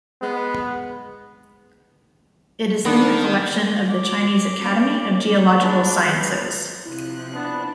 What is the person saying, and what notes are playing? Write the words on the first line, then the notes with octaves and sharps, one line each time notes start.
It is in the collection of the Chinese Academy of Geological Sciences.
G#3 B3
D#3 A#3 B3 D4
D6
A#3 C#4
G#3 D4 B4
D#4 B4
C3 F3 E4 F#6
B3 D4